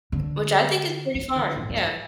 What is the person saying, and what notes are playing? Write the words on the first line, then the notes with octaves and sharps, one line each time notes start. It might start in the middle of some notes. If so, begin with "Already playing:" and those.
which I think is pretty far. Yeah.
D3
E3
D3
A2
G2